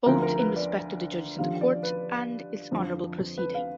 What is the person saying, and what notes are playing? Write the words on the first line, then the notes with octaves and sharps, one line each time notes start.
Both in respect of the judges in the court and its honourable proceeding.
D2 D3 F3 A#4
A#4
B4
D5
D#2 D3 F3 F5
D5
B4
F2 D3 F3
B4
F5